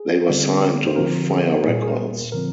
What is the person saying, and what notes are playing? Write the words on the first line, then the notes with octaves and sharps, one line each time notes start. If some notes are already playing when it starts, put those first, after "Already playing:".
They were signed to Fire Records.
Already playing: G#4
D3 G3 C4
C5
D3 F3 C4 A#4
G#4
A#2 G3 A#3 G#4
G#4
A#4
D3 F3 C4 A#4